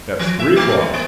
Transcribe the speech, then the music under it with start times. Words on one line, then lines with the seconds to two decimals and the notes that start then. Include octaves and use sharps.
That's three o'clock.
0.19 F3
0.39 E5
0.56 A3
0.78 G3
0.94 A#3